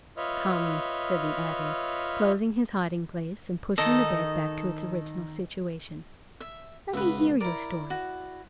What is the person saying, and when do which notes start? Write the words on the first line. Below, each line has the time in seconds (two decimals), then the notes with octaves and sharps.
"Come," said the abbe, closing his hiding-place, and pushing the bed back to its original situation, "let me hear your story."
0.17 F4 B4 C#5 D#5 E5 F6
3.78 D#3 D#4 A4 D#5
6.40 E5
6.94 C#2 B2 B4 E5
7.41 E4 A#4 D5
7.90 F#4